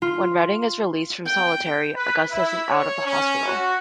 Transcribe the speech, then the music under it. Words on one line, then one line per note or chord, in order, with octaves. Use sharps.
When Redding is released from solitary, Augustus is out of the hospital.
F4
G5
B4
E4
C#5
C#4
F#4